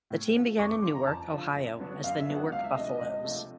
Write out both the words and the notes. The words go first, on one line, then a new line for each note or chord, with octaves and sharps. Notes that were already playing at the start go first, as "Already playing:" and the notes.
The team began in Newark, Ohio as the Newark Buffalos.
A2
F3 A3
F2 C#6
D6
D3 F3 C6
A#5
F2 A5
D3 F3
F#2
D3 F#3 B3 D4
F#2 F5
E5
D3 F#3 B3 D4
F#5
C#2 F5
E5
C3 F3 A3 D4 D#5
D#5
C#2 D#5
C3 F3 A3 D4